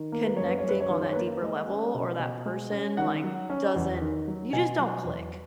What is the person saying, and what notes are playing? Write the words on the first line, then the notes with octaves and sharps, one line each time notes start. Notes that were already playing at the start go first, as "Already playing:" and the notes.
connecting on that deeper level or that person like, doesn't you just don't click.
Already playing: D#3
A#3
B4
F#2 C#5
B4
C#5
F#2
B4
C#5
D#3 B4
C#5
A#3 B4
G#3 D#5
C#4
B2
B2
G#3
C#4
D#3 F#5
F#3
C#4
E2
D#3
F#3
B2 G#5
F#3
E2